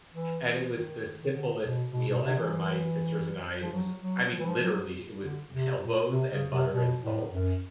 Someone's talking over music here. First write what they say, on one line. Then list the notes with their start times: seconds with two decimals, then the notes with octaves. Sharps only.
and it was the simplest meal ever, my sisters and I and it was I mean, literally, it was elbows and butter and salt,
0.13 E3
0.43 E3
0.73 D#3
1.23 D#3
1.33 D3
1.62 B2
1.92 B2
2.07 B2
2.22 C3
2.37 E3
3.62 F3
3.72 F#3
4.01 F#3
4.32 F3
4.39 E3
4.46 F3
4.62 F#3
5.21 D3
5.51 C3
5.81 A#2
6.11 C3
6.31 C#3
6.51 C3
6.71 B2
7.01 A2
7.31 F#2